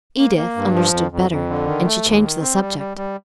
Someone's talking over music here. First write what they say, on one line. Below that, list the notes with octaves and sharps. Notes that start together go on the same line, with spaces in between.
Edith understood better, and she changed the subject.
A#3
A#3
G2
F3
F2
F2
F2
D3
D#3
A3
D#2
D#3
C4
G3
G3
G3